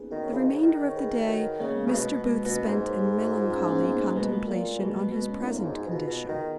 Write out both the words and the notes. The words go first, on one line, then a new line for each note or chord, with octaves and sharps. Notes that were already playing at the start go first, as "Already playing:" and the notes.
The remainder of the day Mr. Booth spent in melancholy contemplation on his present condition.
Already playing: A#3 B3 C#4 D#4 G#4 B4
D#3 F#4 A#4
C#5
F3 G#4 B4
D#3
C#3
D#3
C#5
G#4 B4
F#4 A#4
F#4 A#4
C#3 A#3 C#4
G#3 B3
C#3
B2 A#3
A#3
B2 G#3 B3
B2 A#3 C#4
G#2 G#4 B4
A#4 C#5
G#4 B4
F#4 A#4
F4 G#4
C#4 F4
D#4
A#3 C#4
F4
B3 D#4
A#3 C#4
B2 G#3 B3
A#3
A#2 A#3
A#3
B2 G#3
A#3
B2 G#3 B3
A#3 C#4
F4
F#2 B3 D#4
F4
F#2 D#4 F#4
G#2
D#4 F#4
B2
F4 G#4
B2
D#3 F#4 A#4